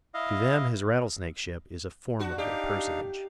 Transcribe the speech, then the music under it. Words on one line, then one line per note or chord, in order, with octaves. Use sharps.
To them his rattlesnake-ship is a formidable personage.
E4 D#5 F5
D4 F#4
D4 D#4 G4 F5